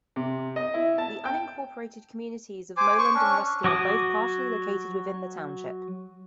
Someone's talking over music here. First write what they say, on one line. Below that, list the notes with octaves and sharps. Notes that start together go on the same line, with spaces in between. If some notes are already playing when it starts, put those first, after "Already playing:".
The unincorporated communities of Moland and Ruskin are both partially located within the township.
C3
D#5
E4
A5
G5
C5 G#5 D6
C5 C#6
C#4 D4
F#3 F#4 D6 D#6